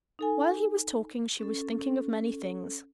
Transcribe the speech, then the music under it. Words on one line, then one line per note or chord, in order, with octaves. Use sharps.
While he was talking, she was thinking of many things.
D#4 A4 G#5
C#4 A4